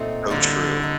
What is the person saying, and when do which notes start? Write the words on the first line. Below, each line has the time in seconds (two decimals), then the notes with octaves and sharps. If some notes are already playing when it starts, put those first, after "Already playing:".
Oh, true.
Already playing: A#2 A3 C4 D#4
0.28 A2 D3 G3 A#3 D4 F4
0.83 D#4